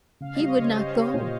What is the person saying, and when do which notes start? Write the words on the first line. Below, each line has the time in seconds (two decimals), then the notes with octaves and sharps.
He would not go.
0.20 C#3 F5
0.35 G3 D#5
0.48 C#5
0.58 C#3 C5 D#5
0.76 G4
0.95 G4
1.14 A#2